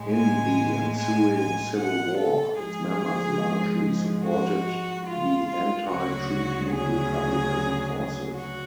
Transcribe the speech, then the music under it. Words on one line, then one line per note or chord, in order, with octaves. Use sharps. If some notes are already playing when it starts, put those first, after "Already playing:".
In the ensuing Civil War, its members largely supported the anti-Treaty Republican forces.
Already playing: A2 G#3
G#5
G#5
G#5
F#5
A4
G#2 F3 G#3 G#4
F#4
F4
F4
D2 C#3 F#3 F#4
G#4
F#4